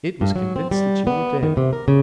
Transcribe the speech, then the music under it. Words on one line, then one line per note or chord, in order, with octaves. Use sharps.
It was convinced that you were dead.
G2
F#3
C4
G3
B3
D#3
C3
A#4
C#3